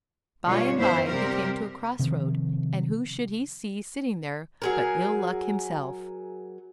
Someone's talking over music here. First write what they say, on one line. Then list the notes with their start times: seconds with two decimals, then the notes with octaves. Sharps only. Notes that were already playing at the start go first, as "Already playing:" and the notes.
By-and-by he came to a cross-road, and who should he see sitting there but Ill-Luck himself.
0.45 B2 D3 G3 G#3 F4 C#5
0.77 F#2 B3 E4 C5 E5 F5
1.07 C3 G3 C4 G4 A#4
1.99 C3 D#3 F3
4.62 F#3 G#4 A#4